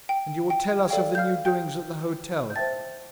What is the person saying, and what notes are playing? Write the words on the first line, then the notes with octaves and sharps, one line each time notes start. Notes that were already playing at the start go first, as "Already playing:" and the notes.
And you will tell us of the new doings at the hotel.
G5
G5
A4 D5 F5 G5
G6
F5 F6
G5 G6
G6
C5 E5 G5 A5 A6